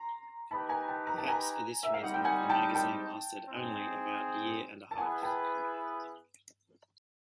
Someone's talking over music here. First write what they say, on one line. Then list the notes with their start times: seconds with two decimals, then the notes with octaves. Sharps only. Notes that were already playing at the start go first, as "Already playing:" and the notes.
Perhaps for this reason, the magazine lasted only about a year and a half.
Already playing: A#5 C6
0.51 D#4 G4 B4 A5 B5
0.69 G#5 A#5
0.88 G5 A5
1.07 A#5
1.18 A5
1.28 G#5 A#5
1.83 E5
1.94 F5
2.00 G3 C4 D#4 F#5
2.14 G5
2.24 F#5 G#5
2.50 G5 A5
2.75 G5 A5
3.49 C4 D#4 G#4
4.91 A5
4.97 B3 E4 G#4 B4 F#5 G#5
5.22 G5 A5